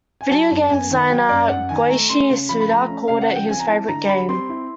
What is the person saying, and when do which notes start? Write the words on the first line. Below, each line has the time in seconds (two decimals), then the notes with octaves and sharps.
Video game designer Goichi Suda called it his favourite game.
0.21 G#5
0.30 F#3 A5
0.51 F#2
0.69 F#2 G#5
0.90 D#3
1.10 F#3 G5
1.29 F#2 D5
1.49 F#2 F#5
1.69 D#3 G#5
1.89 A3 A#5
2.09 C#4 C6
2.30 C#3
2.49 F3 B5
2.60 B5
2.69 A3 A#5
2.89 C#4
3.08 C#3 F5
3.21 F#5
3.29 F3
3.35 G5
3.49 C4 G#5
3.60 A#5
3.68 E4 A5
3.88 D3 A#5
4.08 G3 B5
4.29 C4 C6
4.49 E4